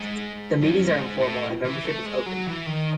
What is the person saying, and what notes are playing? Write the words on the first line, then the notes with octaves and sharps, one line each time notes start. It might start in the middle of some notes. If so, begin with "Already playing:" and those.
The meetings are informal, and membership is open.
Already playing: G#2
F#2
G#2
A2
E3
A3
G#3
F#3
E3
D#3